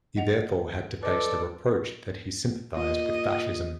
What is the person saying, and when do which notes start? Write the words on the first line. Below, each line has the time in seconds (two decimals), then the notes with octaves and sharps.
He therefore had to face the reproach that he sympathized with fascism.
0.17 D#5 F#5 F7
1.03 A4 B4 D5 D#5
2.77 A#2 D#5